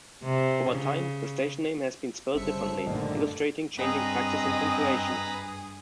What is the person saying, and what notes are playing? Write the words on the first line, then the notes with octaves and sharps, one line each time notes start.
Over time, the station name has been spelt differently, illustrating changing practice in punctuation.
C3
C#3
G1 C#3 G3 A4 C5 E5 C#7
A1 G2 A#2 D3 D#3
G2 C4 G#4 B4 D#5 A#5 D#6